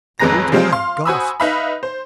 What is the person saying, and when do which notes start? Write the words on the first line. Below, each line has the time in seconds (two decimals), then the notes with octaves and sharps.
The old man gasped.
0.19 A1 F2 G#3 B4 A#5 A#6
0.52 F3 G3 G#3 C4 F4 C5
0.72 F5 C6
1.05 F#4 C5 G#5 B5 D#6 E6
1.40 D#4 B4 E5 F5 B5
1.83 C5